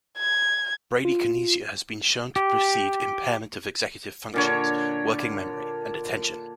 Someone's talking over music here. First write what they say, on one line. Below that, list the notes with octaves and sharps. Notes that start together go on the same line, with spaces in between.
Bradykinesia has been shown to precede impairment of executive functions, working memory, and attention.
G#6
F4
G4
A#2 D3 C#5